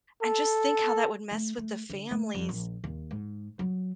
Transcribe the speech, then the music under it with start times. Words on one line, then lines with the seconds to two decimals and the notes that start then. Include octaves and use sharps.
And just think how that would mess with the families
0.22 A4
1.31 A3
1.58 A3
1.89 D3
2.11 A3
2.34 F2
2.49 A#1
2.84 D#2
3.11 G#2
3.59 F#3